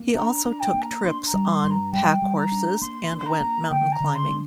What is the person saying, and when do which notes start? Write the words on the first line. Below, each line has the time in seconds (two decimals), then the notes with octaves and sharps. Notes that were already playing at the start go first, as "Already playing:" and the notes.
He also took trips on pack horses and went mountain climbing.
Already playing: A#3
0.15 D4 A#5
0.37 A#5
0.45 D4
0.60 G5
0.74 A#3
0.82 A#5
1.04 D4 C6
1.22 C6
1.26 A#5
1.33 G3
1.48 C6
1.63 G2
1.71 A#5
1.93 G3 G5
2.22 G3
2.37 A#5
2.52 D4
2.81 A#3 C6
3.11 D4
3.19 C6
3.26 A#5
3.41 A#3
3.70 D3 G5
3.92 A#5
4.00 D3
4.15 C6
4.29 D4